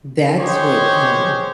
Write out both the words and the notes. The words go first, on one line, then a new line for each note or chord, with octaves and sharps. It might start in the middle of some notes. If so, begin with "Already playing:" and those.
that's what, um
G#3 G4 G#4 C5 C#5